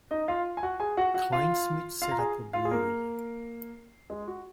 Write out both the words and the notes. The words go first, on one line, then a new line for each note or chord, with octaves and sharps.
Kleinschmidt set up a brewery.
D#4 D#5
F4 F5
G#5
F#4 F#5
G#4 G#5
F#4 F#5
F#4 F#5
F4 F5
F4 F5
A#5
G#4 G#5
F4 F5
G#4
A#3 A#4
G#3 G#4
F#4